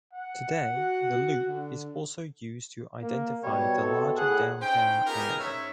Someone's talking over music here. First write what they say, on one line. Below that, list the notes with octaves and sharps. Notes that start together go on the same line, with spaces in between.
Today, the Loop is also used to identify the larger downtown area.
F#5
F#4
D3
A#3
B2 G3 C#5
C3 A4
A2 G#4 F#5
C#4 D#4 C5 G5
B3 D#4 F4 G4 G#4 A#4
G#2 C#4 C#5 E5